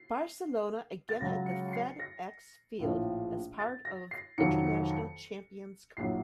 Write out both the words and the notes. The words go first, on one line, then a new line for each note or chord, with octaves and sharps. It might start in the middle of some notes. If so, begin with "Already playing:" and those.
Barcelona again at the FedExField as part of International Champions Cup.
Already playing: C7
A6
C#2 C#3 F#3 A#6
C#7
C#7
C7
A#6
A#1 A2 F3
A6
A#6
C7
F1 F2 D#3 F#3 C#7
C#7
C#7
A#1 A2 F#3 C7